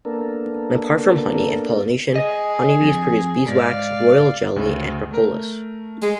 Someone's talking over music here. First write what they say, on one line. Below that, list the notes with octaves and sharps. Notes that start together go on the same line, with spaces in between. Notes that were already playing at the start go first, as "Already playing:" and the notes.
Apart from honey and pollination, honey bees produce beeswax, royal jelly and propolis.
A#3 B3 D4 A4 A#4
G#4 D#5
F2
G#2 D5 F5
D2 C#3
A3 A#4
G#3